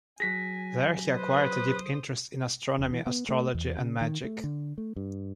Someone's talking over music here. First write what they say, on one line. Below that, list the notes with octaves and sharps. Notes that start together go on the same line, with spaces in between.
There he acquired a deep interest in astronomy, astrology, and magic.
F#3 G#4 G#5 A#6 B6
B4 C5 D#6
E1
E3
B3
A3
E2
C#3
D#3
A3
D3
A3
G2